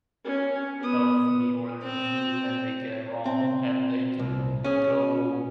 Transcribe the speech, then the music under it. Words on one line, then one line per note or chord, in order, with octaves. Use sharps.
of me ordering food and they get it wrong, and they can go
C#4
B3 D#6
C4
C4
C2
C#4 G#4